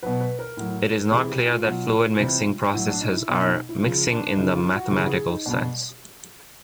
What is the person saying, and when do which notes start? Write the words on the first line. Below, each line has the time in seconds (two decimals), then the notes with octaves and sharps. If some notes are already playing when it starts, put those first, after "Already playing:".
It is not clear that fluid mixing processes are mixing in the mathematical sense.
0.03 B2 F#3 B4
0.21 B4
0.39 A#4
0.57 A2 F#3
1.11 C3 E3 G3 G#4
1.29 G4
1.47 F4
1.65 B2 F#3
2.20 C3 E3 G3
2.74 A2 F#3 E4
2.88 D4
3.01 D#4
3.15 E4
3.28 B2 F#3 D4
3.42 D#4
3.69 E4
3.82 C#3 F3 F4
4.10 D4
4.37 C#3 F3 D#4
4.55 F4
4.73 F#4
4.91 C#3 E3 G3 F#4
5.09 G#4
5.27 D#4
5.46 B2 G3 D4